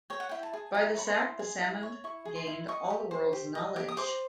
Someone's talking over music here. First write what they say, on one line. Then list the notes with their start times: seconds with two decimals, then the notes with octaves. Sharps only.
By this act, the salmon gained all the world's knowledge.
0.10 C#5 G5
0.20 F#5
0.29 E4 G5
0.43 A5
0.53 G#4
0.74 E4 A#5
0.96 C#5 B5
1.07 C6
1.18 E4
1.39 G#4
1.61 E4
1.83 C#5
2.04 E4 C#6
2.25 G#4
2.36 C6
2.47 E4
2.68 D#5 C#6
2.90 G4
3.11 C5
3.33 G4
3.55 D#5
3.76 G4
3.89 D#6
3.97 C5 D6